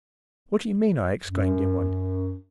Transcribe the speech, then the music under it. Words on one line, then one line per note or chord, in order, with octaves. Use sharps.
"What do you mean?" I exclaimed, in wonder.
F#2